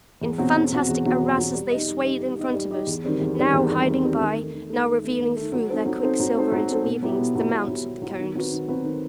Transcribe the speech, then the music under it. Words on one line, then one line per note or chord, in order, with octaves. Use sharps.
In fantastic arrases they swayed in front of us--now hiding by, now revealing through their quicksilver interweavings the mounts of the Cones.
E2
B2 F#3 C4 F#4
E2
B2 F#3 C4 F#4
E2
B2 F#3 C4 F#4
E2
B2 F#3 C4 F#4
G3
D#4 G4 D#5
G3
D#4 G4 D#5
G3
D#4 G4 D#5
G3
D#4 G4 D#5
E2
D#3 G3 C4
E2
D#3 G3 C4
E2
D#3 G3 C4
E2
D#3 G3 C4
D#3
A3 D#4
D#3
A3 D#4
D#3
A3 D#4
D#3
A3 D#4
F#3
C4 D#4 A4 C5
F#3
C4 D#4 A4 C5
F#3
C4 D#4 A4 C5
F#3
C4 D#4 A4 C5
B2
F#3 B3 E4 G4
B2
F#3 B3 E4 G4
B2
F#3 B3 E4 G4
B2
F#3 B3 E4 G4
D#3
F#3 C4 F#4 B4
D#3
F#3 C4 F#4 B4
D#3